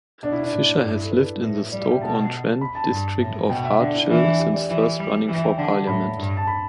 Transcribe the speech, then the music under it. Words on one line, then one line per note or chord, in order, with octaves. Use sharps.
Fisher has lived in the Stoke-on-Trent district of Hartshill since first running for Parliament.
B2 D4
E4
D4
A2
G2 D4
E4
A4
B4
A2
G3 D5
E5
G5
B2 A5
B5
A5
G2
A2
B2 G5
E5
D3 D4
E4
E3 D4
E4
G4
D5
E3
G3
E3 E5
G5
D3 A5
A2 B5
G2
A5
B5